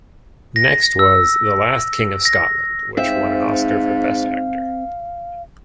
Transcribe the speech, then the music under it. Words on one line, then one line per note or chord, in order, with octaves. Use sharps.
Next was "The Last King of Scotland", which won an Oscar for best actor.
A#6
E6
A#6
G#2 C4 E5 F5